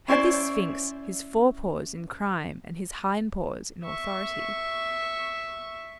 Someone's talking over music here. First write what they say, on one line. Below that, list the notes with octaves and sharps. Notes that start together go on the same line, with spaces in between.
Had this sphinx his fore paws in crime and his hind paws in authority?
C#4 E4 C5 D5
E5 C#6